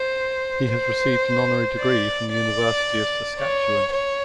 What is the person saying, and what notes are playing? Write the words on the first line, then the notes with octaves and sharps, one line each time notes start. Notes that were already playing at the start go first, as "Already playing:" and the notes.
He has received an honorary degree from the University of Saskatchewan.
Already playing: C5
C5
D5
D5
C#5
C#5